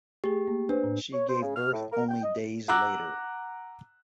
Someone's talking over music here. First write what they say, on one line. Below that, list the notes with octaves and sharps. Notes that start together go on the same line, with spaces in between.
She gave birth only days later.
A3 G4 G#4
A#3
D4 B4 C5
A2
C#5
C5
C#3
F6
A2
A#4
G5
D#5
F#5 A#5 D6 E6 F#6